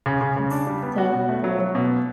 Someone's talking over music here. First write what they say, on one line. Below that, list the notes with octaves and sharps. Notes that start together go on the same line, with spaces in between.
That's so cool.
C#3
C#3
C#3
D4
G3
B3
F#4
B2
A3
F#3
F#3
B2